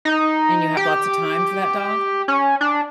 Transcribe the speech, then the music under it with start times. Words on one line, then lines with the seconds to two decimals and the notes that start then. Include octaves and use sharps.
And you have lots of time for that dog?
0.05 D#4
0.77 G4
2.28 C#4
2.61 D4